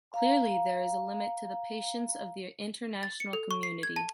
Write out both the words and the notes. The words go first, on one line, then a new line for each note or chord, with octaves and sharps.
Clearly, there is a limit to the patience of the international community.
F5 A#5
A6
C#7
A4
C#6
C7
G#6
A5